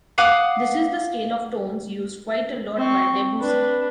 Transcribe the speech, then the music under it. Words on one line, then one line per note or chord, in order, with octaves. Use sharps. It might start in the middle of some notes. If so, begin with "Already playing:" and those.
This is the scale of tones used quite a lot by Debussy.
F5 F#5 D6 D#6
C4 C#6
D4 B4